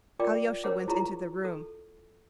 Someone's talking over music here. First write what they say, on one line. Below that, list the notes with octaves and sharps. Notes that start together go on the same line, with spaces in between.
Alyosha went into the room.
F4 A#4 D5 G5 D6
C#4 A#4 C5 C#5 F#5 D6
E4 F4 G#4 A#5 C#6
A4